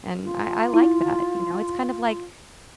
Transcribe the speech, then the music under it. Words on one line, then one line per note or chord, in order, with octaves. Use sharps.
and I I like that, you know? It's kind of like
F4
E4